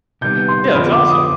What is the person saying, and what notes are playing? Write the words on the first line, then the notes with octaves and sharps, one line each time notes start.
Yeah, that's awesome.
C3 D#3 G3 B3 G6
C6
F2 D3 F3 B3 D4 B5
D6
D#6